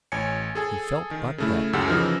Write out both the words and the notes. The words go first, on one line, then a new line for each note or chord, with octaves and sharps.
He felt but that.
A1 C#5 G#5 C#7
G#4 A4 G#5
D#3
C#3 A3 E4
C#2 F#2 C#3 G4 F#5 E6
C#3 E3 F3 D#4 A#4